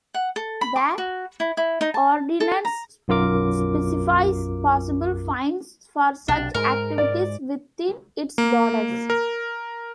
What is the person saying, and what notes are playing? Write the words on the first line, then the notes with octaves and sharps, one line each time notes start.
The ordinance specifies possible fines for such activities within its borders.
F#5
A4
B5
D6
F#4
E4
E4
D#4
A5
A4
A#5
B1 F#2 F4 A#4 D6
B1 C3 D4
G#2 G#3 A#4
D5
A#3
A#4